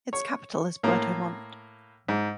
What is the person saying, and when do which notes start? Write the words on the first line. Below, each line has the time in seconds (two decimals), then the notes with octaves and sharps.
Its capital is Puerto Montt.
0.13 C#5
0.83 A2 A#3
2.08 G#2